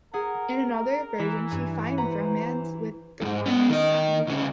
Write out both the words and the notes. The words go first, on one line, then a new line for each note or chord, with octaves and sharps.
In another version she finds romance with the farmer's son.
G#4 A#4 F#5
E3 B6
G2 G#5
B4 C5 F#5 A#5
F2 G#2
B3 C#4
D#3 D#5
D2 C#3